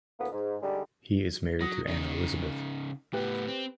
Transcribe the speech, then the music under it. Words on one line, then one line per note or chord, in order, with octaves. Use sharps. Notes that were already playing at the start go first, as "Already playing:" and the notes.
He is married to Anne Elizabeth.
D2 A2 A#3 B3
G#2
D3 G3 G#3 D4 D#4 G4
F#3 D#6 A#6
C#3 D#4
A2 B3 G4 B4 G5
C4